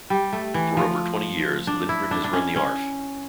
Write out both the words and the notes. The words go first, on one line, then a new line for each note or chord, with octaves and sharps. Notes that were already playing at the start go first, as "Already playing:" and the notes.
For over twenty years, Lindgren has run the Arf!
G3
A3
E3
F3
D4
E4
D4
D4
C#4
C#4